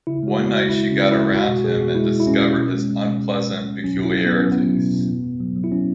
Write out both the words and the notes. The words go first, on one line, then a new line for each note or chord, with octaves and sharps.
One night she got around him and discovered his unpleasant peculiarities.
C#3 E4
G#3 F#4
G#3
G#3 F#4
G#3 E4
C#3
C#4
G#3
E4
G#3
G#3 F#4
B2 F#4
B2 G#4
B2 F#4
G#3 E4
B2
E4
G#3 C#4
B2
B2
G#3
G#3
B2
G#3
B2
B2
B2
F#3 C#4
B2
E4
F#3
F#3 B3
C#4
F#3
B3
F#3
B2
B2
B2
B2
F#3
F#3
E4
F#3 C#4